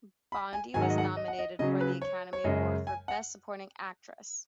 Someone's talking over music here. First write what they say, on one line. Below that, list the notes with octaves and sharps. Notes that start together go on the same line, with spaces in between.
Bondi was nominated for the Academy Award for Best Supporting Actress.
B5
G#5
G#2 D#3 F#3 G#5
F#5
D#5
F#5
D#5
F#5
D#5
C#3 F#3 C#4 D#5
B4
C#5
C#5
F#2 C#3 G#3 D#5
G#5
F#5